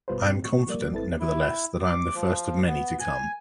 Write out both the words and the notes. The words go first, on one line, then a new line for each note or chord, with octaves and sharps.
I am confident, nevertheless, that I am the first of many to come.
G1 B2 G3 F4 B4 C5
C4
A2 C#6
F3 G3 A#3 D5
G#1 C4 E4 A4 B4 A6
E4
D6
F3
B3
G#5